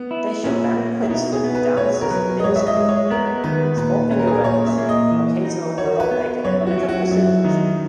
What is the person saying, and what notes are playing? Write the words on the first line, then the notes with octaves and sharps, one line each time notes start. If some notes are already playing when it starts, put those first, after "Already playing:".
They show banquets with dances and music, sporting events, occasional erotic and mythical scenes.
Already playing: B3
E4
A#2 C#4
A#3
E4
B2 D#4
G#4
B3
B4
B2 C#5
A#4
F#3 B4
D#5
G#2 C#5
E5
D#5
G#3
C#5
B3 A#4
D#3 B4
A#2 B4
C#4 B4
A#4
G#4
A#4
A#2 C#5
E5
A#3
D#5
E3
D#4
F#4 C#5
B4
B3
F#2 C#5
E4
F#4
F#3
F#4
F#2 E4
D#3 D#4